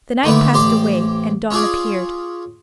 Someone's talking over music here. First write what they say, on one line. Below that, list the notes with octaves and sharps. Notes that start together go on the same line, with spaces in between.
The night passed away, and dawn appeared.
D3 D#3 A3 A#3 B4
A1 G4 C5 D5 D6
C#4 F4 G#4 D5